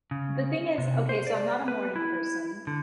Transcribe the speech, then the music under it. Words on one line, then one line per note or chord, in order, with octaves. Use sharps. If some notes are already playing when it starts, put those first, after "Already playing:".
the thing is okay, so I'm not a morning person,
C#3
C3
C5
D5
B4
E4
D3